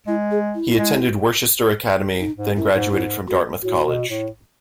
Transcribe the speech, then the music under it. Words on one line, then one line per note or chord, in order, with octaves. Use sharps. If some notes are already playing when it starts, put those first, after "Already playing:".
He attended Worcester Academy, then graduated from Dartmouth College.
G#3 E4
G#4
E4
G#3
D#4
G#2
F#2 E4
G#2
G#2 E4
F#4
A2 F#4
B2
A2